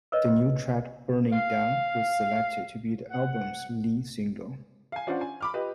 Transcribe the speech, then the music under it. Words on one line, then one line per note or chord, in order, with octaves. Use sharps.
The new track "Burning Down" was selected to be the album's lead single.
A#4 B4 C#5 D#5
F5
F#5
F5 G#5
C#4 D4 F4 C5 F5 F#5
G#5
B5 D6 F6
F4 G4 B4 D#5